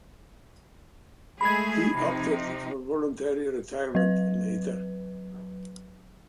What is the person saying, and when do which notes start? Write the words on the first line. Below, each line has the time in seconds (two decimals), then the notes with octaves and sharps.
He opted for voluntary retirement later.
1.41 G#3 A3 G#4 B5 G#6
1.93 C3 F3 D#4
3.95 F#3 B4